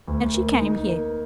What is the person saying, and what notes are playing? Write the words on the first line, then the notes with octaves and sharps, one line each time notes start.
And she came here.
D2
A#3
D#4
A#3